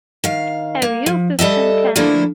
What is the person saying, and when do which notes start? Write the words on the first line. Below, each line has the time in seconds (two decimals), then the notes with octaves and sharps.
Have you fifteen cans?
0.24 D#3 F5
0.82 A#3
1.06 F3
1.39 G3 A4 D#5 E5
1.96 D3 F3 A3 A#3 E4